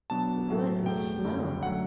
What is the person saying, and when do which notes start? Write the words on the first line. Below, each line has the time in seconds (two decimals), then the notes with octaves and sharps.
"What is snow?"
0.10 B2 F#3 B3 D4 A5
0.48 A2 F#3 A3 C#4
0.86 E2 B2 A3 G5
1.24 F#2 D3 G3 C#4 E4
1.63 D3 F#3 A3 C#4 F#5